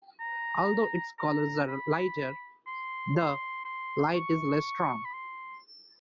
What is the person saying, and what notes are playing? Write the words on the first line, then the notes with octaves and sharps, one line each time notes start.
Although its colors are lighter, the light is less strong.
A#5
A#5
B5
C6
C6
C6
C#6
B5
C6